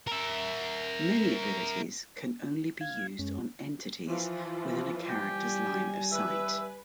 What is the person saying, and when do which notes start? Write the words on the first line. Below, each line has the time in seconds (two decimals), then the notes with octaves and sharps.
Many abilities can only be used on entities within a character's line of sight.
0.07 A#4 E5
2.81 F5 G#6
3.19 F#2 G#3 C#4
4.07 E3 F3 F4
5.08 G3 G4 G#5
6.12 B4 E5